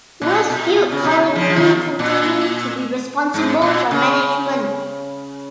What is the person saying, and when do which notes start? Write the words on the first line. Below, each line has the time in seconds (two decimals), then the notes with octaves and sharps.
Westfield currently continues to be responsible for management.
0.22 A#2
0.50 B2
0.92 C#3
1.04 B2
1.17 C#3
1.35 C#3 F3
1.50 F3
1.56 B2 D#3
1.99 A#2
3.34 G#2
3.62 A#2
3.91 C#3